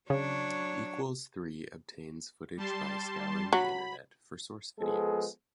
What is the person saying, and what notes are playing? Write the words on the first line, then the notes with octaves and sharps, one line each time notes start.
Equals Three obtains footage by scouring the Internet for source videos.
C#3 F#3 D4 C#5
G3 A5 C6
F#3 B5
F3 G#3 B3 G#4 A4